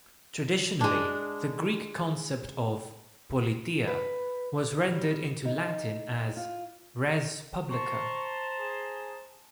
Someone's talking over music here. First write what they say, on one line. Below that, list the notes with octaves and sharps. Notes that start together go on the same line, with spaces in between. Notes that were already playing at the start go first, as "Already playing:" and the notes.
Traditionally, the Greek concept of "politeia" was rendered into Latin as res publica.
G#3 D4
B4
G3
D#4
F4
C5 A5 A#5 C#6
G#4